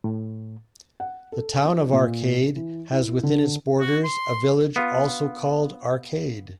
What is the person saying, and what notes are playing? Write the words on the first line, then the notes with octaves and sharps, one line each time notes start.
The Town of Arcade has within its borders a village also called Arcade.
A2
F#5
A4
F3
A#2
E3
E4
D3
F#4
C6
B3 F4